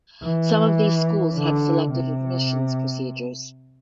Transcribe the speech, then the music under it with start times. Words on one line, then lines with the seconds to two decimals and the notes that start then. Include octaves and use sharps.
Some of these schools had selective admissions procedures.
0.22 E3
1.34 D3
1.91 C3